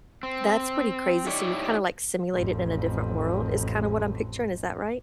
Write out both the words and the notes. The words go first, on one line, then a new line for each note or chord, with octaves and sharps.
that's pretty crazy. So you're kinda, like, simulated in a different world is kinda what I'm picturing, is that right?
C4
D#4 E4 G4 C#5 D5
A1 F2